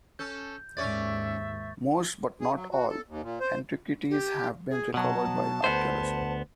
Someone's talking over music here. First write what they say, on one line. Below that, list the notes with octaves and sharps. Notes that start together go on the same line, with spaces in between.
Most, but not all, antiquities have been recovered by archaeology.
C#4 A4 G6
D#2 G#2 C#4 C#5 D5 E5 C#6 A6
G#4
F#3
F#4
A4
D#2
A#2
C5
G4
G#4
B2 F#3 A5
D2 B3 C5